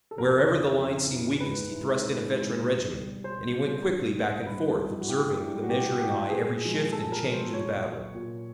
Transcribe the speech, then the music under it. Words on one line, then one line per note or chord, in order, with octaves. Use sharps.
Wherever the line seemed weakest he thrust in a veteran regiment, and he went quickly back and forth, observing with a measuring eye every shift and change of the battle.
A4
F2 A#4
C#3 E3
F2
C#3 E3
G#2 B4
E3 G#3
G#2
E3 G#3
B2
G3
B2 C5
G3
G2
E3 G3
G2 B4
E3 G3
F#4
A2 G4
E3 G3
F#4
A2 G4
F#4
E3 G3 G4
A#2 G#4
F3 G#3
A#2 A4
A#4
F3 G#3
C5
A#2 C#5
F#3
A#2